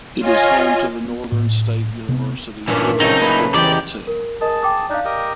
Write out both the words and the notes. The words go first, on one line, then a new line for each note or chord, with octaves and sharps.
It is home to the Northern State University Wolves football team.
F4 C#5 D#5 G#5
B3
A2
C3 B3
G2 A#2 E3 C#4 D4
C#3 F#3 A3 C4 D#4 C#5
A#2 C#4 E4 B4
E2 G4 D5 D#5 G5 A#5
A#4
G#4 A#4 D#5 A5
G5 D6 D#6
D4 D#4 D5 F5
G4 A#4 D#5